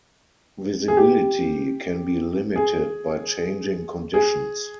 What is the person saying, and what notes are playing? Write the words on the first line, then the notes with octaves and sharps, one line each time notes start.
Visibility can be limited by changing conditions.
G#4
G4
G#4
G#4